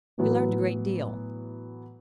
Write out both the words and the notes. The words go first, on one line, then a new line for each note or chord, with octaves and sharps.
We learned a great deal.
A2 E3 F#3 B3